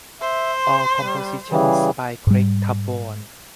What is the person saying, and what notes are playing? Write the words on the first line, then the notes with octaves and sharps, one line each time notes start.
All compositions by Craig Taborn.
C5 E5
C6
G3
C#3 E3 G3 G#4
G#2 G3